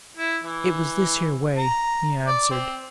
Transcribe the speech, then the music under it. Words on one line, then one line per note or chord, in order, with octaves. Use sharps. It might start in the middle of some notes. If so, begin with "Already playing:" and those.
"It was this here way," he answered.
E4
E3
A#5
D5
C4